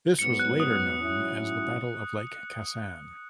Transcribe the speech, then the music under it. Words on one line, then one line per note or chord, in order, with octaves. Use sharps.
This was later known as the Battle of Lake Khasan.
G#2 F#3 B3 C#7
F#6
D#6
G#2 F#3 C#4 E4